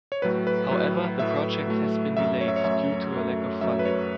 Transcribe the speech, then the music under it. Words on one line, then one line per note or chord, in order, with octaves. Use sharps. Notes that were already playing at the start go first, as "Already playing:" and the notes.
However, the project has been delayed due to a lack of funding.
C#5
A2 F#3 A3 B4
B4
A2 F#3 A3
A2 F#3 A3 E5
A2 F#3 A3
F#2 F#3 A3 E5
C#5
E5
C#5
F#2 F#3 A3 E5
F#2 F#3 A3
F#2 F#3 A3 E5
B4
C#5